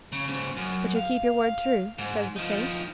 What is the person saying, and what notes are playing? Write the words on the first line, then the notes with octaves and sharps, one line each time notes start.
"But you'll keep your word true," says the saint.
C#3
G#2 C#3
F#2
F5
G#2
F3 D#4